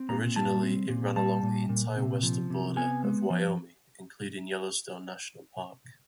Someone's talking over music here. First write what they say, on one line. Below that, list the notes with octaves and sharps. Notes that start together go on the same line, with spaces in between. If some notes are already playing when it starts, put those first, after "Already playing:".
Originally, it ran along the entire western border of Wyoming, including Yellowstone National Park.
Already playing: C4
A#2 A#5
G3 A5
C4
A#2
G3 A5
A#2
A#2
C3
F3
C3
B3 G#5
G#3
F3